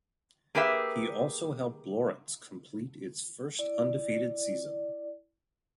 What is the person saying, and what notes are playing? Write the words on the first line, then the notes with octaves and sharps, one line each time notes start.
He also helped Lawrence complete its first undefeated season.
A#3 G4 G#4 B4 E5
E4 D5